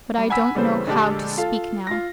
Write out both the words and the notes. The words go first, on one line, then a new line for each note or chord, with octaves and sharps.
But I don't know how to speak now.
G3
F#5 G#5 B5 E6 B6
C#3 E3 G3 B3 A4 C5
A#1 D3 G#3 D4 G4 A5
F4 A4 F5
F4 A#6